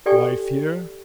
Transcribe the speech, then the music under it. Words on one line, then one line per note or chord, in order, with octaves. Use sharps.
"Wife here?"
G4 A4 D5 G5 G#5 C#6